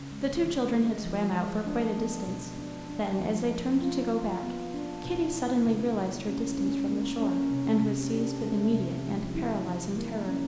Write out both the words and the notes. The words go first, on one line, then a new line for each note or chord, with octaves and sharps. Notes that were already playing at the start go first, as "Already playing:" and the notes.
The two children had swam out for quite a distance; then, as they turned to go back, Kitty suddenly realized her distance from the shore, and was seized with immediate and paralyzing terror.
Already playing: C#3
G#3
E3
G#3
F3
G#3
D4
B3
B2
D4
D4
F3
A#3
F4
F4
B3
D4
B2
E4
C#3
A#3
C#4
C#4
A#3
C#4
C3
C3
D4
A3
C3
F3
E4
E3
A#3
C#4